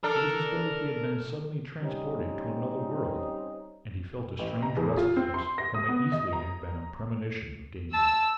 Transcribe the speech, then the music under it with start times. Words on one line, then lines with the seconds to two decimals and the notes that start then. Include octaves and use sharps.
It was as though he had been suddenly transported to another world and he felt a strange restlessness that might easily have been a premonition of danger.
0.04 D4 A4 A#4
1.82 G3 C4 C#4 D#4
4.39 A1
4.62 A#5
4.76 E2
4.97 F4
5.16 C4
5.34 C6
5.58 A#6
5.74 D#6
5.89 B3
6.12 D#5
6.33 A#5
7.94 A5 E6